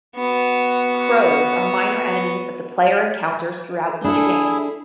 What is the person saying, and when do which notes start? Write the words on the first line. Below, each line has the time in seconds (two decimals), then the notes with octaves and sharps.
Crows are minor enemies that the player encounters throughout each game.
0.16 B3 F#4
4.04 D4 E4 G#4 A4